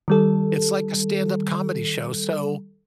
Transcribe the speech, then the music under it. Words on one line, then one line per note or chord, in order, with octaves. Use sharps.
It's like a stand-up comedy show, so,
D#3 G3 A4